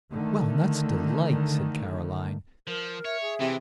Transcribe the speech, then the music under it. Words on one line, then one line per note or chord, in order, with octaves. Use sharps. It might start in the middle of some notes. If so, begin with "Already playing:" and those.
"Well, that's delight," said Caroline.
D3 D#3 A3
F3 A#4
C#5 E5
G#4
C3 E3